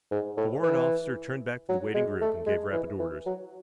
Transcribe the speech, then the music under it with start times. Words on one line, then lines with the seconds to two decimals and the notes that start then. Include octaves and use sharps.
The warrant officer turned back to the waiting group and gave rapid orders.
0.11 G#2
0.37 A2
0.63 E3
1.69 F#3
1.94 G#3
2.21 A3
2.46 G#3
2.73 E3
3.00 E3
3.26 F#3